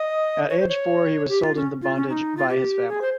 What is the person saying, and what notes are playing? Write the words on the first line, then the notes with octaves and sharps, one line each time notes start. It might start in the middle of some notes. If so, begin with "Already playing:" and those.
At age four, he was sold into bondage by his family.
Already playing: D#5
C#5
C5
C#5
G4
F4
C#4
F4
C#4
D#4
F4
G4
G#4
C5